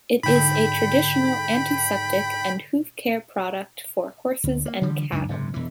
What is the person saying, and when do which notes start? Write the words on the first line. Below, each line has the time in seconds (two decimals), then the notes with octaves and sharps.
It is a traditional antiseptic and hoof care product for horses and cattle.
0.23 G#2 D3 G5 B5
4.44 D2
4.66 A#3
4.82 D3 E3 F3 G3
5.12 C#2 F#2 G3 D4
5.29 F#1 G#2 C3
5.54 E1 E3